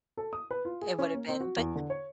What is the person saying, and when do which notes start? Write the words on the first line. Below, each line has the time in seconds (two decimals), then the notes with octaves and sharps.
It would've been but
0.17 A4
0.33 D#6
0.51 B4
0.65 F4
0.82 G#4
0.99 C#4
1.13 A#3
1.28 C4
1.40 F#4
1.57 E2
1.75 D3
1.90 C#5